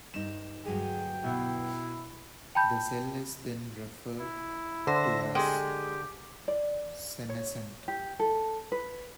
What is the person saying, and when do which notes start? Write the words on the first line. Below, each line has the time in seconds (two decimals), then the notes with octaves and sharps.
The cell is then referred to as senescent.
0.14 G2 D#4 E7
0.65 D2 G2 F#3 G#4 G5
1.24 B2 B3 E4
2.55 G5 A5 B5 G6
4.19 E4
4.87 D3 C5 E5 A#6
5.35 G#3 G4 G#4 G5
6.48 D5
7.29 C#5
7.88 G4
8.19 A4
8.72 B4